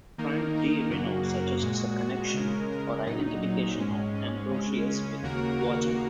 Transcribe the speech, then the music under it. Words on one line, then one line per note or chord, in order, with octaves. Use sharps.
Frank D. Reno suggests a connection or identification of Ambrosius with Vortimer.
D#3 A#3 D#4 A#4
D#3 A#3 D#4 A#4
F#2 C#3 A#3 F#4
F#2 C#3 A#3 F#4
A#2 G#3 F#4
A#2 G#3 F#4
C#3 G#3 C#4 A#4
C#3 G#3 C#4 A#4
A#2 F#3 D#4
A#2 F#3 D#4
G#2 G#3 C#4
G#2 G#3 C#4
C#3 G#3 C#4
C#3 G#3 C#4
D#2 C#3 A#3 F#4 A#4
D#2 C#3 A#3 F#4 A#4